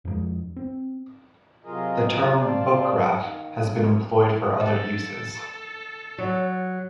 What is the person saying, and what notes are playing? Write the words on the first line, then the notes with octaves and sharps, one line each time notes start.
The term "book-graph" has been employed for other uses.
F2 F3 F#3 G#3
C4
C3 F#3 F4 G#4 A#4 D#5
C5 D5 F5 G5 A5
D#3 A#3
A4
F#3